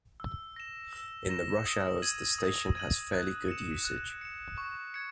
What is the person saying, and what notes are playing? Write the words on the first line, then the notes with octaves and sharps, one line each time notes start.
In the rush hours the station has fairly good usage.
E6
A#6 E7
E6
A#6 E7
D#6
G#6 D#7 F#7
D#6
G#6 D#7 F#7
F#6
C#7 E7
F#6
C#7 E7
C#6
G#6 C#7